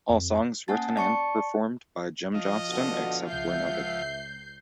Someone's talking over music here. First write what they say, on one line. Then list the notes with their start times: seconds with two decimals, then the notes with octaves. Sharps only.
All songs written and performed by Jim Johnston, except where noted.
0.09 F2
0.68 A#3 C#4 F#5 G#5 A5 A6
0.96 D5 A5 C#6 C#7
2.35 F3 D#5
2.69 B2 D3 F#4
3.29 C#2 E5 F#5 G6 C7